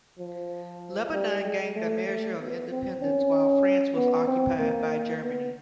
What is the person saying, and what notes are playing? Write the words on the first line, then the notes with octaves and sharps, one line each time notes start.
Lebanon gained a measure of independence while France was occupied by Germany.
F3
G3
G#3
A3
A3
B3
C4
C#4
B3
C4
A#3
B3